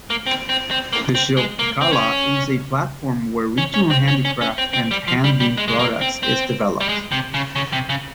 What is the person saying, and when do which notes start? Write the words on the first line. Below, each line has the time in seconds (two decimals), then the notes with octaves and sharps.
The Shilpkala is a platform where regional handicraft and hand-loom products is developed.
0.10 A#3
0.26 C4
0.49 C4
0.71 C4
0.93 A#3
1.15 C4
1.37 G#3
1.59 A#3
1.81 C4
1.92 C#4
3.58 C#4
3.74 C#4
3.90 C4
4.08 C#4
4.25 C#4
4.41 C#4
4.58 C4
4.73 C4
4.91 G3
5.08 F3
5.24 G3
5.40 G3
5.57 G#3
5.68 G#3
5.79 A#3
6.01 C4
6.23 C4
6.81 G3
6.89 G#3
7.12 C3
7.34 C#3
7.56 C#3
7.73 C3
7.89 C#3